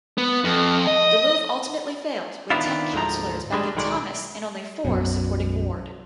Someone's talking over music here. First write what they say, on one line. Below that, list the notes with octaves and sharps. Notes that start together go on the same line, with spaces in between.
The move ultimately failed, with ten councillors backing Thomas and only four supporting Ward.
B3
F2
D#5
D#3 E3 B3 D4 E4 F4
D2 G#2 F3 A#5
G3 G#3 D4
B1 D#3 G#3 D5
B1 F#2 B2